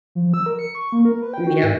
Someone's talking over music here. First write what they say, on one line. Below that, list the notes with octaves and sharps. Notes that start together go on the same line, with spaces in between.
M yep.
F3
E6
A#4
C#7
C#6
A#3
A#4
B4
G5
F#4
G#2